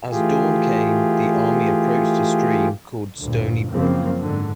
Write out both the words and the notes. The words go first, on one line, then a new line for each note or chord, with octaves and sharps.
As dawn came, the army approached a stream called Stony Brook.
E3 A3 F4 G4 G#4
D2 G2 A#2
F#2 C#3 F3 A#3 C4
G#2 D3